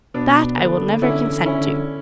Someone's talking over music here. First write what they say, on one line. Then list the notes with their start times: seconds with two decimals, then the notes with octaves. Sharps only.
THAT I will never consent to.
0.14 B2 B3 D4
0.58 D3 B3 D4
1.02 D3 C#4 E4
1.31 D3
1.46 C#4 E4
1.60 D3